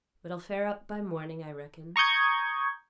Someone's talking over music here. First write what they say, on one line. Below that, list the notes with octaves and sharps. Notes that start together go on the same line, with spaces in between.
It'll fair up by morning, I reckon.
A#5 C#6 D#6 G6 G#6